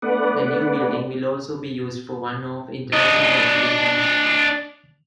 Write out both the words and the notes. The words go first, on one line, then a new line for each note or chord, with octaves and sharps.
The new building will also be used for one-off international exhibitions.
A3 B3 D4 B4 D5 F#5
D4 D#5